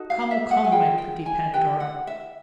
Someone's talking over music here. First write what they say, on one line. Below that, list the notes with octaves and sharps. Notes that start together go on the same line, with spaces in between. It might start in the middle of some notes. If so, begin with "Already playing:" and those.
Come, come, my pretty Pandora!
Already playing: D#4 F#4 A4
F5
E5
F#5
G#5
F4 G#4 B4 G5
G5
G#5
E4 G4 B4 G5
F#5
E5